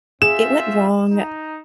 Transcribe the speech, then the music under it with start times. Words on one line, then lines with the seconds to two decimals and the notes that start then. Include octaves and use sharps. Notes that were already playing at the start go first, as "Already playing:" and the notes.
it went wrong
0.22 C4 F4 G#4 E5 E7
1.11 D#4